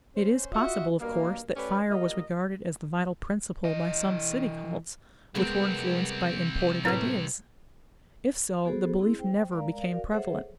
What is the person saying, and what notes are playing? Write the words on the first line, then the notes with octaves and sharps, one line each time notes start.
It is possible, of course, that fire was regarded as the vital principle by some city cults, which were influenced by imported ideas. If so, the belief never became prevalent.
C#4 C5
F4 F#4 D#5 E5
G2 B2 A#3
A3 C#4 G4 B4 D5
G3 A#3 F4 D#5
E3 D#5
C2 G#3 B3 C4 A#4
A2 C3 E4 B4
B3 F#4 G#4 A4 C5
C4 E4 G#4
C5 G5
G#3 A#4 D5 F5 A#5
F#4 A#4 D5 F5
G#4 A4 C5 C#5 E5 F#5